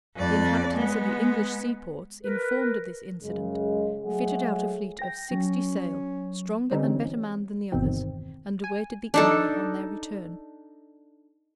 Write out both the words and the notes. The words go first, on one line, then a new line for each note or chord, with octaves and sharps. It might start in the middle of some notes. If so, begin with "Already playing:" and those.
The inhabitants of the English seaports, informed of this incident, fitted out a fleet of sixty sail, stronger and better manned than the others, and awaited the enemy on their return.
F2 D5
G#3 B3
A#4 B4
F#2 C#3 G#3
F#3 G#3 A3 F#4 G#4
G5 A#6
F#3 C#4
D3 E3 G3 C4 C#4 D#4
G1 E2 B2 D#3 C4
G#5
D4 D#4 A4